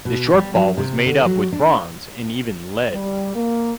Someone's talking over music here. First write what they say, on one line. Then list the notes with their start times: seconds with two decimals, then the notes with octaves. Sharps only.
The shortfall was made up with bronze and even lead.
0.05 B2
0.34 G3
0.55 F#3
0.78 C3
1.06 D3
1.25 F#3
1.52 D4
2.93 G3
3.35 A#3